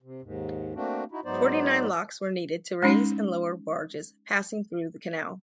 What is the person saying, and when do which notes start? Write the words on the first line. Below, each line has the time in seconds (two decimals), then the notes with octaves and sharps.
Forty-nine locks were needed to raise and lower barges passing through the canal.
0.02 C3
0.22 D#2 G#2
0.75 A3 A#3 C4 D4 F#4
1.12 D#4 E4 F#4
1.25 G#2 F#3 B3 D#4 C5 D5
2.83 G#3 C#4 D#4